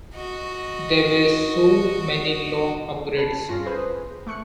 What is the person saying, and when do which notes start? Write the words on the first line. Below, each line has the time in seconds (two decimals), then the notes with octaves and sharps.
There were so many long upgrades.
0.15 F#4 D#5
3.17 B4 A5
3.49 G2 C#4 F4 A#6 C7
3.66 G#4 B4 C5
4.27 A3 C#6 F#6 C#7